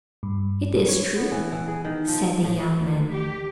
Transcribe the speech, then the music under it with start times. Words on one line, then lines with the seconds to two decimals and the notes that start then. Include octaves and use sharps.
"It is true," said the young man.
0.23 G2
0.88 C#5
1.16 B3
1.32 E3
1.52 E3
1.68 G#4
1.85 D#3
2.08 F3
2.44 A2
2.77 D2
3.13 G4